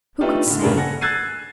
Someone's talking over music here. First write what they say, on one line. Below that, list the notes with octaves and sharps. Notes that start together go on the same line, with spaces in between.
Who could say?
A3 B3 D4 D#4 F4 G4
A2 D3
D#1 G2 C#3 D4 A#4
A4 F#5 G#5 A#6
E6 F#6 G#6 A6 C7 D#7